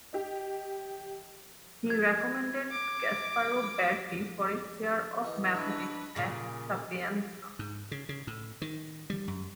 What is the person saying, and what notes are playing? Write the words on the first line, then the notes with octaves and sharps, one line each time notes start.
He recommended Gasparo Berti for a chair of mathematics at Sapienza.
G4 D#5
G#6
D6
E3 B3 G#4 D#5
D4 B4 C#6 E6
A#2 C#3
G#2
C#3
C#3
A2
D#3
G3
F#2